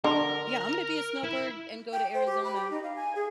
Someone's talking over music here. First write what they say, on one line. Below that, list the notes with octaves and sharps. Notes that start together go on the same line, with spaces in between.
Yeah, I'm gonna be a snowbird and go to Arizona.
D3 A#4
E4
G5
C5
G4
B5
G4
D#4
F5
G#5
G#4